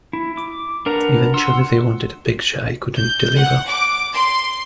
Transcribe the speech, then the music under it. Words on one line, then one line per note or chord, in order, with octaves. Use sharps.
Eventually, they wanted a picture I couldn't deliver.
E4
D6
D4 A#4 B4 F#5 A#5
F#5 C6 E6
G6
F#5
D6
C6